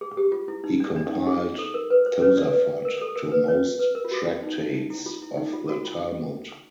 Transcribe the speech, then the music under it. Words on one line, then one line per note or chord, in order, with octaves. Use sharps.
He compiled tosafot to most tractates of the Talmud.
G#4
G4
F4
E4
D#4
D4
D4
D#4
G#4
A4
A#4
B4
C5
B4 C#5
C5 D5
B4
A#4
A4
A#4
B4
B4 C#5
B4
A#4
F4
F#4
F4
D#4
D#4
D#4
E4
F4
E4
D#4
F4
F#4
F4